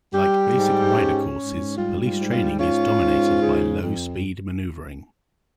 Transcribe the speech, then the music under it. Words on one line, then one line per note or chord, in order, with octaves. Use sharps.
Like basic rider courses, police training is dominated by low-speed maneuvering.
G3 G4
G#2
C#4
G#2
G3 F4
F4
G#2
F4
C#4 F4
G#2
C#3
F2